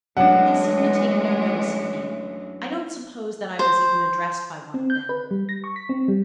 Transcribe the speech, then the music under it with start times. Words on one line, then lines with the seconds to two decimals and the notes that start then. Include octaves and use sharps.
They seemed to take no notice of me; I don't suppose that I was even addressed by one of them.
0.17 F#2 E3 G#3 A3 D4 F#5
3.59 C5
4.74 C4
4.90 G6
5.09 B4
5.31 G3
5.49 A#6
5.64 C#6
5.76 B6
5.89 C4
6.08 G3